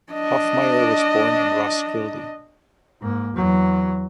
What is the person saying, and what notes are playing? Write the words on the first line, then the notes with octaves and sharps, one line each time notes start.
Hoffmeyer was born in Roskilde.
D4 D#5
G#2 A#3
E2 F#3